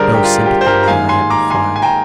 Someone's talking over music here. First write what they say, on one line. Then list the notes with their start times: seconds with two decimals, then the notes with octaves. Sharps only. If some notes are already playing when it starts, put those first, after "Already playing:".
No sympathy may I ever find.
Already playing: G2 D3 G3 G#4 A#4 C5 D5
0.14 G4
0.24 F4
0.46 G4
0.61 C5
0.66 G4 A#4
0.83 A#5
0.88 G#2 D#3 A#3 F5 G#5
1.09 G#5 C6
1.30 A#5 D6
1.50 G#5 C6
1.76 G#5
1.82 G5 A#5